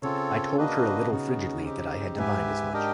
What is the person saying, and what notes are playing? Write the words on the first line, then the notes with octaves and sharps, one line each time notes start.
I told her a little frigidly that I had divined as much.
C#3 C4 F4 A4 C#5
A#3 D4 F#4 B4 D#5
C#3 B3 D#4 F#4
C4 D#4 G4
G#2 G4 B4 E5 G#5
D4 G4 A#4 D#5 G5